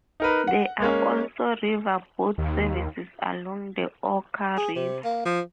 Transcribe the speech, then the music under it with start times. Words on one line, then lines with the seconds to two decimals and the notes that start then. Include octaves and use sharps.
There are also river boat services along the Oka River.
0.20 D#4 A#4 B4
0.47 F#5
0.80 G#3 A#3 C#4
2.38 D#2
4.57 G#4
4.76 C3
5.04 A#3
5.25 F3